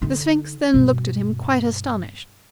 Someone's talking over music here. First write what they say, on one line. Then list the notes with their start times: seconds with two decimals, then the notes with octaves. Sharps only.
The Sphinx then looked at him quite astonished.
0.02 D3 D#4
0.74 G2 B2